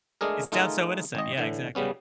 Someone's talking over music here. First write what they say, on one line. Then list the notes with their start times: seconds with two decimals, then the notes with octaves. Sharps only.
It sounds so innocent. Yeah, exactly.
0.21 G#3 A3 D4 G#4 A#4
0.52 A3 D#4 F4 G#4 A#4
1.15 G#1 D#5
1.38 A2 D3 E3
1.75 C#3 G3 B3 C#4